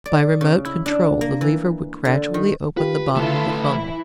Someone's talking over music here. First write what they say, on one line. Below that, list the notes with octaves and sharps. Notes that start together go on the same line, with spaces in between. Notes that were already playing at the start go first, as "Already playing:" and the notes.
By remote control, the lever would gradually open the bottom of the funnel.
D5
C#3
E4
D4
A#3
E3
D3
D#3
F4 G4 B4
D3 A3 E4 F4 A4 B4
E3 E4